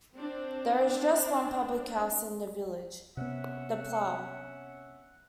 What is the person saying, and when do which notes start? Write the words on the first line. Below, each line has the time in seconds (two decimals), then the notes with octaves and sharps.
There is just one public house in the village, the Plough.
0.15 C4 D4
3.17 C3 B3 C#4 E5 F#5